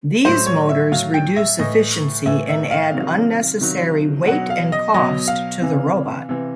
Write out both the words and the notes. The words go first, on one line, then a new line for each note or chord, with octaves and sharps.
These motors reduce efficiency and add unnecessary weight and cost to the robot.
A2 F#3 C5
C#5
E5
A2 F#3 F5
G5
E5
A2 E3 D#5
A2 E3 E5
E5
F5
C3 D#3 F#3
C3 D#3 F#3
B2 F#3 F#5
F5
D#5
B2 F#3 D#5
F5
C3 E3
C3 E3